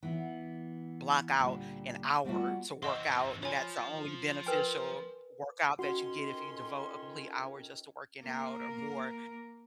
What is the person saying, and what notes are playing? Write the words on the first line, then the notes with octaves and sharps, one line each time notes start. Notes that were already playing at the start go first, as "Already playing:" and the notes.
block out an hour to workout, and that's the only beneficial workout that you get if you devote a complete hour just to working out or more,
E3 B3
D2 A#2 D3 G3 A5
G3 A3 B3 D#4 F4 F#4
E3 C4 D#5 F#5 C6 C#6
F3 F4 C#5 G#5
A#4 B4 G5 G#5
F2 D#3 C#4 F#4 C6
A#3 A#4